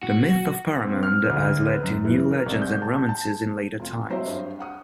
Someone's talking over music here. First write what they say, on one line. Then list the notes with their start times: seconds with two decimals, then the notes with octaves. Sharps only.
The myth of Pharamond has led to new legends and romances in later times.
0.03 F#4
0.84 C4
1.03 F6
1.30 D2
1.67 B4
1.83 F#2
2.05 E3
2.31 A#4
2.46 C2
2.62 G6
2.82 A5
3.09 A5
3.80 F1 F4
4.10 F#3 C4 C5 C#5 D#5 E5
4.27 G2 C5
4.59 F5 F#5 D#6